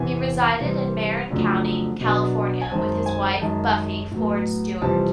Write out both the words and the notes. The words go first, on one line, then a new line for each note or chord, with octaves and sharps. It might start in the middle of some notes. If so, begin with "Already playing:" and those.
He resided in Marin County, California with his wife, Buffy Ford Stewart.
Already playing: E2 C3 E3 G#5
C3 E3 G3 C4
F2 C#3 F#3 A3 D4
B2 F#3 B3 D4
G#5
F#2 D#3 G#3 C4 A5
G#5
F#2 D#3 G#3 A5
A2 F#3 B3
F2 C3 E3 G3 C4 A5